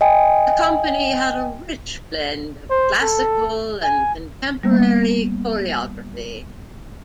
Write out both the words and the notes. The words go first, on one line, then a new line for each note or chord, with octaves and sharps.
The company had a rich blend of classical and contemporary choreography.
D#5 G5 G#5
C5
A4
G#5
G3 A#3 B3